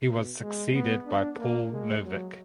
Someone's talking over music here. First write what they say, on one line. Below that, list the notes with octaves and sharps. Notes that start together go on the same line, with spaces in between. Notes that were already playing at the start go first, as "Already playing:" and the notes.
He was succeeded by Paul Novick.
B2
G#3
B3
D4
A#3
G#3
F#3